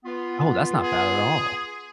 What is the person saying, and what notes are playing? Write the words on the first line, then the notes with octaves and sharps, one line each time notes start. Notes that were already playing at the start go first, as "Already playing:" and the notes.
Oh, that's not bad at all.
B3 F4
G#4